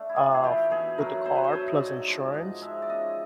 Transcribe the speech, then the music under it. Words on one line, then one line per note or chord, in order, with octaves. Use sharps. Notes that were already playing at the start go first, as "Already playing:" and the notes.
uh, f with the car, plus insurance,
Already playing: A3 D4
E4
A2 F4
G#4
E3 A3 G4
B2 G#4
F#3 A3 A#4
B2 C5
B4
C5
F#3 A3 C#5
D#5
G#2 D5
F3 G#3 D5
G#2 D#5
F3 G#3 E5
D5
C#3 D#5